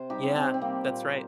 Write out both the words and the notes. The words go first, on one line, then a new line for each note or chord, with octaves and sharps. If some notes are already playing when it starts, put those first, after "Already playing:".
Yeah, that's right.
Already playing: C3 C5
G3 D#4 G4
C4
C3 C4
C4
G3 A#3
A#2